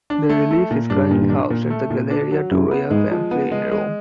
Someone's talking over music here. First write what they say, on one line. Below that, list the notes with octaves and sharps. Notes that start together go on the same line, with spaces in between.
The relief is currently housed at the Galleria Doria Pamphili in Rome.
D4
A3
A3
A#2
G2 D4
A#2
D4
A#2
A3
A#2
D4
F#3
F#2 E4
B3
G#2 G#3
F3
B3
G#3
G#3